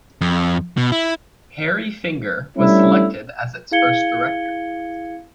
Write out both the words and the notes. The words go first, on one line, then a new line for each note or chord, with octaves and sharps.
"Harry" Finger was selected as its first director.
F2
B2
E4
G3 A3 C#4 D4 E4
E4 G#4 F5 G#6 C#7 G7